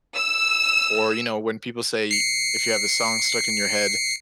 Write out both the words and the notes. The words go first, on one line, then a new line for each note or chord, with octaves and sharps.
Or, you know, when people say, "If you have a song stuck in your head,
E6
C7 C#7